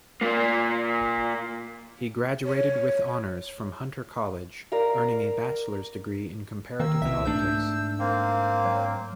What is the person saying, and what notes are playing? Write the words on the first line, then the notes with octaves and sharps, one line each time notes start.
He graduated with honors from Hunter College, earning a bachelor's degree in comparative politics.
A#2 A#3
C#5
A#4 D5 F5 A#5
D#3 A#3 E6
C2 B2 E5
G#2 A3 D4 G6
A#3 C4
F#3